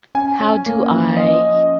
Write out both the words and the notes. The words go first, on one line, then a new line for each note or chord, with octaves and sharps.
How do I...
C#4 G#5
C#4
A#3
F3
C#4 D#5